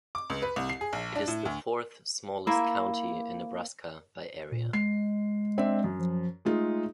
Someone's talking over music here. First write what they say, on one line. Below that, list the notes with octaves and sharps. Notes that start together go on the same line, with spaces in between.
It is the fourth-smallest county in Nebraska by area.
D6
C#2
B4
C2
C7
G#4
A#1
D4
A2
D2
A#3 E4
A#2
G#3 C7
C4 D4 E5
F#2
F3
G#3 A3 D#4 F4